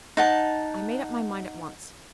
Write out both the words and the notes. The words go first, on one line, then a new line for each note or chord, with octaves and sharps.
I made up my mind at once.
D#4 F#5 A5